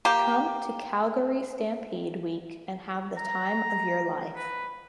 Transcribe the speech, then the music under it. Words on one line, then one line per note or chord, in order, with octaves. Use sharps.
Come to Calgary Stampede Week and have the time of your life.
A#3 G4
A#5
B4